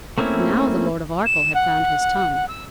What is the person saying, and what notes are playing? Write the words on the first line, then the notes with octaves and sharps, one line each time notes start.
But now the Lord of Arkell had found his tongue.
A3 A#3 C4 C#4 E4
E7
F#5
E6